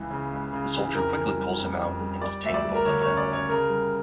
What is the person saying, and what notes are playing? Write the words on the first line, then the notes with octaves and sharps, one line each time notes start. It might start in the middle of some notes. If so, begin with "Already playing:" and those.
The soldier quickly pulls him out and detain both of them.
Already playing: C#2 E3
C#3
C#2
C#3
E3
F2 A#4
E3
G3
F2
F2
G3
G3 D5
D2 E5
D5
G3
A#4
D3 C#5
C#5
C#4
D5
C#4
C#5
C#3 A#4
G3